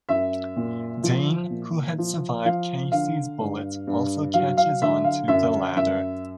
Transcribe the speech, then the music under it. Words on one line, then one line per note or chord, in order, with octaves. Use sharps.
Dane, who had survived Casey's bullet, also catches on to the ladder.
F#2 E5
A#2
F3
A#2
F3
F3 F5
D3 F5
G2
G2
F#3 F5
F5
D3 E5
F5
F#2 E5
F#2 E5